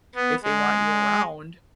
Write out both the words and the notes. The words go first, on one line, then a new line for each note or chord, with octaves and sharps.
if they want you around,
B3
G#3